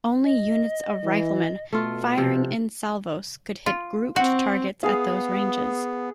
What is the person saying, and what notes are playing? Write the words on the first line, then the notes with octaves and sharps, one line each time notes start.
Only units of riflemen firing in salvos could hit grouped targets at those ranges.
D#5
E3
B2 A3 F4
C3 F3
F4
C4 F#4
B3 G#4 F5